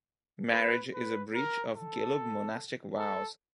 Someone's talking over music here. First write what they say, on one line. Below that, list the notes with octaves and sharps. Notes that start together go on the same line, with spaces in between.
Marriage is a breach of Gelug monastic vows.
B4
B4
A#4
A4
A4